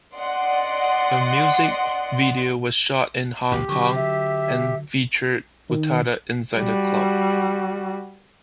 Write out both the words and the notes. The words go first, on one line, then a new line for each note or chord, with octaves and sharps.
A music video was shot in Hong Kong, and featured Utada inside a club.
D5 D#5 F#5 C6
A1 D2 G#2 G4
D3 F#3 C#6
E5
D#3
G3 F#4